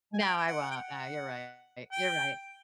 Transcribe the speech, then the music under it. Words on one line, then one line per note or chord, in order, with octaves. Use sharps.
No, I won't, nah, you're right, you're right.
G#5
G5
G5
F#5
G5
F#5
G5